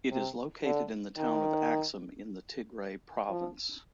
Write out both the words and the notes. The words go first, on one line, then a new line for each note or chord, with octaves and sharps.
It is located in the town of Axum in the Tigray Province.
C3
D3
D#3
F3